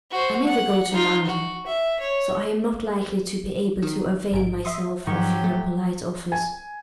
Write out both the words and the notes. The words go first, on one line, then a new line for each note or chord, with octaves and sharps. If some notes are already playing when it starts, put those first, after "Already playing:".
I never go to London; so I am not likely to be able to avail myself of your polite offers.'
F#4 C5
F#5
D#4 F4
F#4
E5
C#5
D#3
A1 G#2 D7
E5 C6 D#6
G#2 D#3 F3 F#3 G4 C#6
A3
G#5